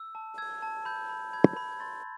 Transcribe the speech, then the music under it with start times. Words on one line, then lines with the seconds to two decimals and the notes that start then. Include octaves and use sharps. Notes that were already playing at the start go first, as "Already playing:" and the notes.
The custom is in general the same but there are some significant variations.
Already playing: E6
0.15 A5
0.38 E6 G#6
0.62 A5
0.85 B5 G6
1.09 B5
1.33 B5 G#6
1.57 B5
1.72 G#6
1.80 C6 A6